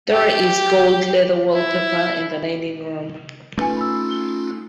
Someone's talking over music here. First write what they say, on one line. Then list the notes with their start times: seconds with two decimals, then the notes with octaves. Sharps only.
There is gold leather wallpaper in the dining room.
0.12 G4
1.54 E4
3.58 A3 C#4 D#4 F4 B4 G#5
3.77 B5 E6